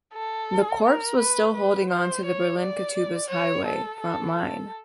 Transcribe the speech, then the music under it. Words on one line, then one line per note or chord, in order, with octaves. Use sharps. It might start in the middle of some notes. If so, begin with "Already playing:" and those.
The corps was still holding on to the Berlin-Cottbus highway front line.
A4
A#4
B4
B4
C5
C#5
D5
C#5
A4
A4
A4